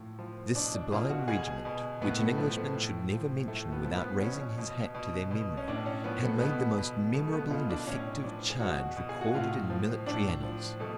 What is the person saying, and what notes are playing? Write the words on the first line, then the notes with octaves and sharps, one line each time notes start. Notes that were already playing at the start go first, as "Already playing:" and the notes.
This sublime regiment, which an Englishman should never mention without raising his hat to their memory, had made the most memorable and effective charge recorded in military annals.
Already playing: A2 F3
F3
B2 D4
D4
B2 F4
F#4
B2 G#4
B2
A2 B3
A3
F3 B3
A3
A2
F3
A2 A3
B3
F3
B3
B2 C#4
B2
B2
B2
C#4
A2 D4
C#4
F3 B3
A3
B2 B3
B2
B2 A3
A3
B3
B2 F4
D4
A2 C#4
F3 D4
G#4
B2 F#4
B2
G#4
F#4
A2 F4
F3
A2 D4
F3
B2 A3